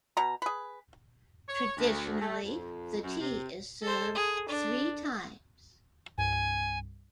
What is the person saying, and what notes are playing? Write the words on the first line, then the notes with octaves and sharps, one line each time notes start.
Traditionally, the tea is served three times.
B2 A#5
G#4 B4
C#5
D2
A3
F2
F#2
C3
A4 C5
G#4
D4
C2 G2 G#5